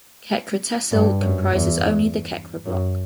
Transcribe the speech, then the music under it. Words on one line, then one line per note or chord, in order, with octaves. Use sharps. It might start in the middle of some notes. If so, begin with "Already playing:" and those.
Khekra tehsil comprises only the Khekra block.
G2
F#2
E2
F#2